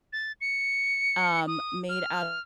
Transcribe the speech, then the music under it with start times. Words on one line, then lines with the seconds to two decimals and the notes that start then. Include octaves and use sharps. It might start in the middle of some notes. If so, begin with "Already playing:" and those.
Um, made out
0.13 A6
0.41 C#7
1.47 D#6
1.89 F6